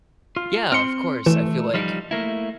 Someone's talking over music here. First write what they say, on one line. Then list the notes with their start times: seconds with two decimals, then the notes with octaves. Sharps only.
Yeah, of course. I feel like
0.36 F4
0.72 C4 C6 F6 C#7
1.26 E3 A3
1.74 F3 G3 D#4
2.11 A3 A#3 E4